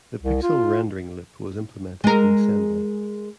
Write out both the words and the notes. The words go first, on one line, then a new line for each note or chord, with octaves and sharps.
The pixel rendering loop was implemented in assembly.
C2
F4
G#3 A#4